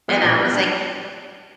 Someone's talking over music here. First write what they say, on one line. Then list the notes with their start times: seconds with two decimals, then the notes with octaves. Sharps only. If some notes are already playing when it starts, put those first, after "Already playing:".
And I was like,
0.08 F3 G#3 B3
0.17 D#4
0.24 A#2 D4
0.40 G3 B3
0.55 D4